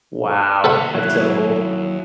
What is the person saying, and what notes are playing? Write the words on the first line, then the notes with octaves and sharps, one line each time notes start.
Wow. That's so cool.
D#2 A4 B4 E5 F#5
F#3 E4 F#6